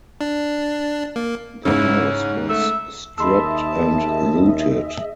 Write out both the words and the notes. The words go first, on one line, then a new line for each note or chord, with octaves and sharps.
The house was stripped and looted.
D4
A#3
G#2 C#3 C#4 E4
A3 E5
D#2 G#4 D#5 E5 A5 B5 C6 E6